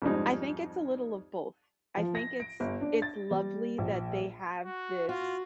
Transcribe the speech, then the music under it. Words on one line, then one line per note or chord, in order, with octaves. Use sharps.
I think it's a little of both. I think it's it's lovely that they have this,
F2 G#2 G3 G#3 D#4
F3
A#6
D7
G1
D4
A6
G3
A#1
F#4
F4 F#4